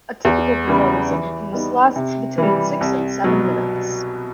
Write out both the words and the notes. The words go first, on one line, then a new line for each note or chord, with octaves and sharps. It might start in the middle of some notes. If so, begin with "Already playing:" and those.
A typical performance of the piece lasts between six and seven minutes.
E2
C#3 E3 G3 B3
E3
G3 B3 D#4
C3
E3 G3
C2
B2 F#3